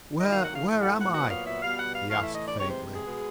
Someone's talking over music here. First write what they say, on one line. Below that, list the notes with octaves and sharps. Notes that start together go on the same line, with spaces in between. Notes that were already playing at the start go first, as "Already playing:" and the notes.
"Where--where am I?" he asked faintly.
D#3 F#3 A#3 D#5
F5
F#5
F5
A2 F3 A3
F#5
F#5
A#2 F#3 B3 F#5
F5
E5
B2 G3 B3 F5
F#5
F5
A2 E3 A3 F5
E5
D#5
D5
C3 E3 G#3 C#5
C5
G#4
B2 G#3 B3